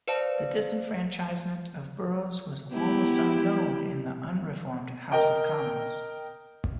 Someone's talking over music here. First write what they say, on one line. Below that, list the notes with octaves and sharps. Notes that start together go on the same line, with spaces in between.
The disenfranchisement of boroughs was almost unknown in the unreformed House of Commons.
B4 C5 D5 F5 A5
G#3 B3 E4 G4
A#4 D#5 G5